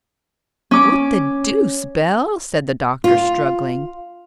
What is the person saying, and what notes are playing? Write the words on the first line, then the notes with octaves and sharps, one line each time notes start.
"What the deuce, Bell?" said the doctor, struggling.
C#4 D6
F4